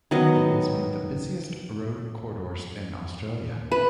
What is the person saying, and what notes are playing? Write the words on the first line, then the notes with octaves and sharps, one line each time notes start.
It is one of the busiest road corridors in Australia.
D#3 F#3 B3 D#5
B4